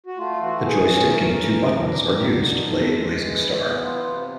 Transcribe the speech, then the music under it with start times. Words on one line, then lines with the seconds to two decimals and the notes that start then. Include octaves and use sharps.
The joystick and two buttons are used to play Blazing Star.
0.06 F#4
0.18 A3 F4
0.40 E3 F#4
0.64 E3 G#4
0.86 C#4 G#4
1.09 A3 A#4
1.32 E3
1.55 E3
1.78 D4
2.00 G3 A#4
2.24 D3
2.46 D#4 A4
2.69 C4
2.92 G#3
3.15 E3
3.37 E4
3.60 B3
3.83 E3 F4
4.06 C3